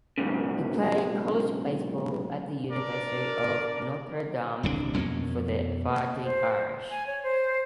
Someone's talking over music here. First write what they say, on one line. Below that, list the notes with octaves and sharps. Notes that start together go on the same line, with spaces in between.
He played college baseball at the University of Notre Dame for the Fighting Irish.
B1 G#2 C#3
D4 A#4 D5
D#1 C2 C3 D4
F2 B2 A#3 C#4
C5
G#5
C#5
C5